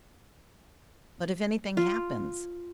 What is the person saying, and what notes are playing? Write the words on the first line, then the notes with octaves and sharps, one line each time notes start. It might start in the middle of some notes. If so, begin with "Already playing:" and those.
"But if anything happens-?"
F4